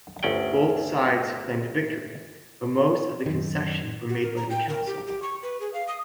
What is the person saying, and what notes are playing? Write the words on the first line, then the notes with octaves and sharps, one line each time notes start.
Both sides claimed victory, but most of the concessions were made by the Council.
G1 D2 C#4 D5 G5
F#2 D#3
F#4
A#4
A#5
G5
A#4
G4
G4
C#6
B4
G#4
F5
D#6